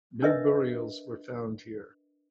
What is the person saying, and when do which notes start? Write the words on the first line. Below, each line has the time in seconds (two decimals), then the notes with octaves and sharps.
No burials were found here.
0.22 D4 A#4 B4 D#5 E5